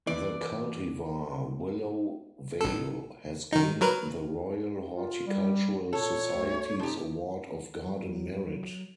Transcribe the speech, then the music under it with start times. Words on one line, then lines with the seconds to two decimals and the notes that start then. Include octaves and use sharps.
The cultivar 'Willow Vale' has gained the Royal Horticultural Society's Award of Garden Merit.
0.07 E3 D5
2.61 A1 A4
3.52 D#3 D#4
3.81 F#3 A#4 B4
4.93 F4
5.26 G3
5.93 A#2 A4 C#5
6.33 D2
6.79 F3 D#4 G4 A5
7.83 F#3